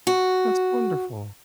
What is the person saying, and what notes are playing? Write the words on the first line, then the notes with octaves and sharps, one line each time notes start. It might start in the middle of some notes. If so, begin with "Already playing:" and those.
That's wonderful.
F#4